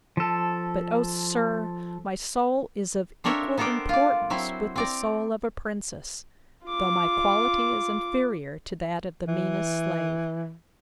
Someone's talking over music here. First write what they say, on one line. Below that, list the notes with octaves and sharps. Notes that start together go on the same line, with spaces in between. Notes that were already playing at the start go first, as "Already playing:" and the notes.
But, O sir! my soul is of equal importance with the soul of a princess; though my quality is inferior to that of the meanest slave.
F3 A4
C4 D4 A4 A#4 C#5 E5
B3 A4 A#4 C5 D5 G5
F4 D5
F#3 C4 E4 C5
C4 D5 A#5
F4 D6
E3